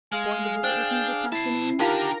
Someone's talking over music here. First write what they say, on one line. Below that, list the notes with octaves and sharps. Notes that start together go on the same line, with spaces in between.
Going to visit with me this afternoon?
G#3 G#4 F5
D4 C5 G5 G6
C3 E4 A5 C7
D4 D#4 F4 G4 A#4 F5 F#5 A#5